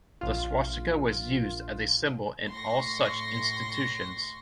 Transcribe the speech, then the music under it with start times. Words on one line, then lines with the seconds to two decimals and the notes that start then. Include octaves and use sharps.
The swastika was used as a symbol in all such institutions.
0.21 A#1 F4
2.50 A2 C6 C#6 A#6